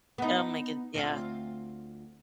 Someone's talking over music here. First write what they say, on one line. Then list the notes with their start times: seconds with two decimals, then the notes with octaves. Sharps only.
Oh my goodne yeah.
0.18 B3 D#4
0.94 D2 C4 F4